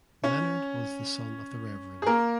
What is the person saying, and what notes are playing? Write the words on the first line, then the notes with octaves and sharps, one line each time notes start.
Leonard was the son of the Rev.
C#4 C#5
G#4
A#3 A#4